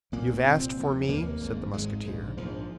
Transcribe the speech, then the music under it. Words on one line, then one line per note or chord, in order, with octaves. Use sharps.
"You have asked for me?" said the Musketeer.
C2 A#2 A#3
A#3
C2 A#2 C4
F1 D#2
F1 D#2 A#3
G#1 G#2
G#1 G#2 G#3
A#1 G#2
A#1 G#2 F3